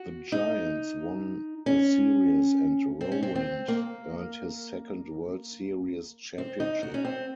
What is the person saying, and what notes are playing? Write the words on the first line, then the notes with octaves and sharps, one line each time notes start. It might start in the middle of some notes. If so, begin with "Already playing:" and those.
The Giants won the series, and Rowand earned his second World Series championship.
Already playing: F#4
D#4
C#4
C4
C#4
C4
C4
A#3
C4
D#4
F#4
C#4
C4